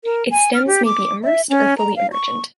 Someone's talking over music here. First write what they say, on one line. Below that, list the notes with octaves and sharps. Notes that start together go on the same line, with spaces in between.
Its stems may be immersed or fully emergent.
A#4
G#5
F6
G4
D6
E5
C#4
A#5
F5
C#6